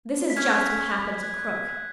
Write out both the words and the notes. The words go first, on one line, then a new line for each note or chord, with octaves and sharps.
This is just what happened to Krook.
B6
C#4 G#4 C#5 G#6
F#6